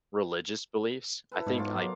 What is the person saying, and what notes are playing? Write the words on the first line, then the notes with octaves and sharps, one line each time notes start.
religious beliefs, I think, l c
E4 A4 B4
G#2 B2
F#3 F4 D6
F#3 A#4 F5 A#5